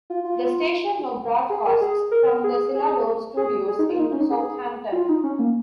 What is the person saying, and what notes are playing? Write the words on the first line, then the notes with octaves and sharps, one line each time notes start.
The station now broadcasts from the Celador studios in Southampton.
F4
F4
G#4
A#4
G#4
A#4
G#4
G#4
G#4
G#4
D#4
F4
D#4
C#4
D#4
G#4
F4
D#4
C#4
A#3